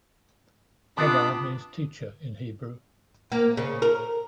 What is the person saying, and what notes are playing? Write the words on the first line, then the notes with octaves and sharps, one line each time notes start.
Rabbi means teacher in Hebrew.
C3 B3 D4 F4 A5 B5 D6 D#6
A#3
C#3
A#4